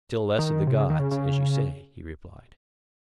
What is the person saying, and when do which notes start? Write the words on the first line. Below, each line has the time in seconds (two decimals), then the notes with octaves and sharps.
Still less of the gods, as you say, he replied.
0.39 D#3
0.67 C3
0.75 C#3
0.90 D#3
0.99 C#3
1.11 C#3